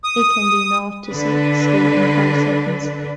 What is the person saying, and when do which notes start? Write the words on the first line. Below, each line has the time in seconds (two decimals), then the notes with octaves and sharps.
It can do nought to sixty in five seconds.
0.04 D#6
1.08 D3 D4 B4